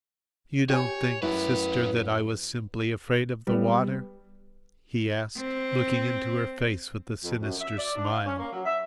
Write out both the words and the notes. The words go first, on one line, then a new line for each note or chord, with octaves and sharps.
"You don't think, sister, that I was simply afraid of the water?" he asked, looking into her face with a sinister smile.
G4 C#5 G#5
F#2 F#3 C#4 E4 B4
G3 B3
C4
F2
F#2
E5
D5
D4
F5
C#4
A#3
F#3
E5